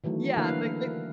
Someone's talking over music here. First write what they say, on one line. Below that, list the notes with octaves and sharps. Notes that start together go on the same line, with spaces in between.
Yeah, like they
D#3 E3 F#3 A3
D3 E3 A#3 E4 B4 F5